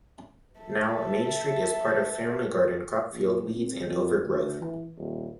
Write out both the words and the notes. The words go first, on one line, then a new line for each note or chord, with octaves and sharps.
Now "Main Street" is part family garden, crop field, weeds, and overgrowth.
A4 E5
A#1
C4
F2
D2
E3
D#1